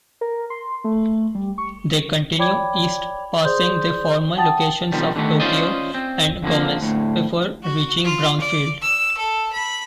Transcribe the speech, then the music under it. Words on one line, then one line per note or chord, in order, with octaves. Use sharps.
They continue east passing the former locations of Tokio and Gomez before reaching Brownfield.
A#4
C6
A3
G3
C#6
C#5 D5 G5 B5 D6 G#6
G#4 C5 D5 C6 D#6 G6
F#5 G5 A5 D#6 A6
B2 D3 D#3 F3 G3
D3 D#3 A3 B3
C#4 F4 C5 D5 D#5
C4
F2 D3 F3 A#3
D2 A2
F#4
F4
D5
E6
A4
B5